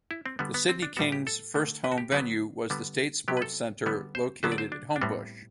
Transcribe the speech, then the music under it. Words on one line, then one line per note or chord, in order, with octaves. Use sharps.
The Sydney Kings' first home venue was the State Sports Centre located at Homebush.
E4
C4
D3 G3 B3
B3
C4
D4
A2 G3 B3 F#4
G4
A4
D3 A3
B4
F#4
G4
D3 F#3 B3 B4
D3 G3 B3
C3 F#3 B3 G4
B4
A4
D3 G3 B3
C5
D3 F#3 B3 C5
D5
C5
D4
D4
A2 G3 B3 C4